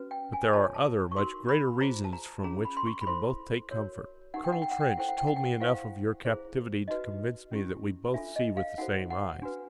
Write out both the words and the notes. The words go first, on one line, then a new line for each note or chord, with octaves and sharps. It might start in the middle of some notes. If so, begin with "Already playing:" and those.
But there are other, much greater reasons from which we can both take comfort. Colonel Trench told me enough of your captivity to convince me that we both see with the same eyes.
Already playing: C#4 F#4 B4
G5
G#5
F4 A4 C#5 A5
A5
C#6
D#4 F#4 A#4 C6
B5
F4 G#4 C5 A#5
A5
A#5
C#4 F4 G#4 A#5
B5
C6
C#6
B5
E4 A4 C5 C6
F#4 A#4 C#5
D#4 G4 A#4 F#5
G5
F#5
G5
F#5
G5
F#5
E4 A4 C5 G5
F#5
G5
F#5
G5
F#5
E4 G4 C5 F5
E4 G#4 C5
D#4 F#4 B4 D#5
C#4 E4 G4
D4 F4 A4 E5
D#5
F5
D#4 F#4 A4 C5 F#5
F#5
D4 F#4 B4